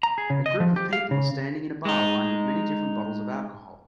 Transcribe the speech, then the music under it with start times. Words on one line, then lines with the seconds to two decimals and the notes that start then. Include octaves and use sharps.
A group of people are standing in a bar lined with many different bottles of alcohol.
0.03 A#5
0.18 G#4
0.30 C#3
0.46 D#5
0.60 F3
0.76 G4
0.93 F5
1.11 C#3
1.85 G#3 D#4